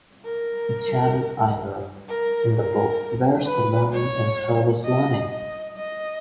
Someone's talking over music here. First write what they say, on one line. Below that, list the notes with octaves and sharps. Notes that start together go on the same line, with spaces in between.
Janet Eyler, in the book Where's the Learning in Service-Learning?
A#4
A#4
A#4
B4
C#5
D#5
D#5
D#5